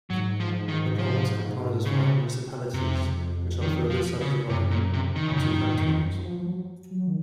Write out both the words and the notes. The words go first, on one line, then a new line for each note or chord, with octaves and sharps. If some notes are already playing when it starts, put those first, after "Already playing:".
The province comprises five municipalities which are further subdivided into cantons.
G#2 F#3
F3
D#3
F3
C#3
F2 C3
D#3
F3
C#3
F#2 C3
A#2
C3
D#3
F2 C#3
F#2 D#3
F#2
G#2
F#2
F2
F#2
F#3
F3
F#3
F#3
D#3